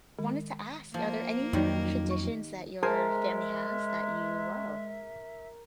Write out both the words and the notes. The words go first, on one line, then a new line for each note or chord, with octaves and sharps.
wanted to ask, are there any traditions that your family has that you love?
D#3 G#3
F3 A#3
F2 D#3 F#3 G3 D#4 C#5 D5
C#6
G#3 G#4 A#4 C5 E5 G#5